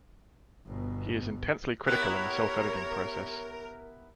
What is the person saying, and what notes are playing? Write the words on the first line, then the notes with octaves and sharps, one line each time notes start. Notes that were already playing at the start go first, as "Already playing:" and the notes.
He is intensely critical in the self-editing process.
G1 B2
B3 E4 G4 A#4 C#5 F#6